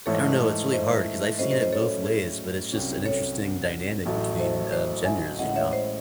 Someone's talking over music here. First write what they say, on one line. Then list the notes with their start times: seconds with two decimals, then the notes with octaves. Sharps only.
I don't know, it's really hard 'cause I've seen it both ways, but it's just an interesting dynamic between, um, genders, you know?
0.06 G#2 E3 A3 D#4 A4 C#5
0.72 C5 D#5
1.39 A2 F#3 C#4 E4 C5 D#5
1.51 C5 D#5
1.61 C5 D#5
1.73 A4 C#5
2.06 G#4
2.72 C2 C3 F#3 C#4
3.06 A4 C#5
4.05 A1 A2 F#3 A3
4.39 C5 D#5
4.72 C5 D#5
5.05 E5 G#5
5.39 A1 A2 G#3 C#4 E4 D#5 F#5
5.49 F#5
5.56 C#5 E5
5.72 C5 D#5